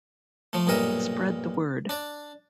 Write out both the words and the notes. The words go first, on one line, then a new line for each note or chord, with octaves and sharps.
Spread the word.
F3 A3
B1 G2 A#2 A#4 D#5 E5
D4 D5